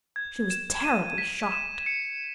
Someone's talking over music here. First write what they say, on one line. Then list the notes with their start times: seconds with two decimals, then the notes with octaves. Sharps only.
She was terribly shocked.
0.16 G#6
0.50 E7
0.84 D#7
1.18 B6
1.52 E7
1.86 C#7